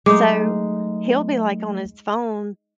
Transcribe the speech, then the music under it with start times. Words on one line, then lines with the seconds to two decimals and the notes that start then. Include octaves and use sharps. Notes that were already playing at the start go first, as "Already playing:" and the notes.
So, he'll be, like, on his phone
0.06 F#3 G#3 A3 D#4 D#5 D6